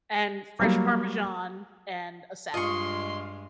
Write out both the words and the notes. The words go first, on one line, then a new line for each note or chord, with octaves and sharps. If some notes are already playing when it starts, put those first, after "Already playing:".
and fresh parmesan and a salad.
F#3 G3 A#3
G2 G#3 F4 D#5 C6 C#6